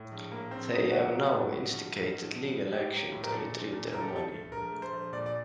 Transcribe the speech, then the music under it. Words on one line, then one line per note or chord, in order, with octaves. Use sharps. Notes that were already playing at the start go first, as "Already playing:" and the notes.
They have now instigated legal action to retrieve their money.
Already playing: A2
A#1
A2 A#3
A#1 C4
A#1 D#4
A#1 F#4
F#3
A2
A2
A#1
A#1
A#1
A#1
A#1
A2 G4
F#3
A2
A#4
A#2 A4
A#1
A#2
A3 A#4
A4
G4
A#1 A4
A3
A#1 A#4
A3
C5
A#1
A#2 D5
D5